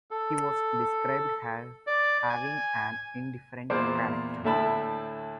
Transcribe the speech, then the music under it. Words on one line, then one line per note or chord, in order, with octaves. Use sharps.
He was described as having an indifferent character.
A4
D5
G#5
E2 A#2 C5 D5 D6
D2 A2 E5 A5 B5